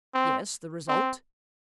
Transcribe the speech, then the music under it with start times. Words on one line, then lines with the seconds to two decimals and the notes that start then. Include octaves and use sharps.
"Yes, the result?"
0.14 C4
0.88 C4